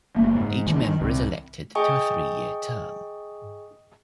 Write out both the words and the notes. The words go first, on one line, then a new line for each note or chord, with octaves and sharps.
Each member is elected to a three-year term.
F#1 A3 A#3
G#2
A#1 D#3 E3
D#3
C2
G#4 D#5 G5 G#5 C#6 D#6